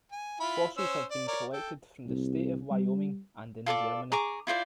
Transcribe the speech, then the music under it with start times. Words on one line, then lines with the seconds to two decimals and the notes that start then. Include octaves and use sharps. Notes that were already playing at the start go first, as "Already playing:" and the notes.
Fossils have been collected from the state of Wyoming and in Germany.
0.12 G#5
0.40 E4 F4 B5
0.77 C#4 C5 E6
1.11 D5
1.28 A#4 C#5 D5
1.53 A4 G5
2.07 C2
2.71 G3
3.66 F4 A4 D5 D6
4.12 G#4 A#5 C#6 D6
4.47 E4 F4 C5 D5